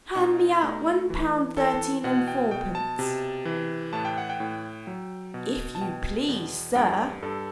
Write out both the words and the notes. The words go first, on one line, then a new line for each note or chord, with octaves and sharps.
"Hand me out one pound thirteen and fourpence, if you please, sir."
B2 D#4
A3 D#4
E3
E3 A4
B2 F#5
G5
B2 G5
A5
C3
E3
A2 A5
G5
F#5
G5
A2
F#3
B2
A5
B2 G5
E2
G2 G5
G2 A4